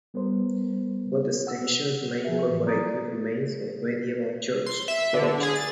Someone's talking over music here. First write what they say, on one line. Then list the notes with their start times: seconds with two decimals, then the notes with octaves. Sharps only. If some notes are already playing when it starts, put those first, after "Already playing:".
Both extensions may incorporated remains of medieval church porches.
0.14 G3 B3 A#4 C5
1.47 F#5 E6
2.25 F3 G#4 A#4 E5
2.49 A2 E3
2.64 F#3 C4 D5 A#5 D#6 A6
4.66 C6
4.88 E5
5.14 D3
5.43 G#4
5.56 A6